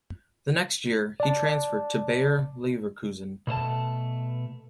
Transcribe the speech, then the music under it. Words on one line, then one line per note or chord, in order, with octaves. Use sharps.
The next year, he transferred to Bayer Leverkusen.
D5 A5
B2 A3 C5 A5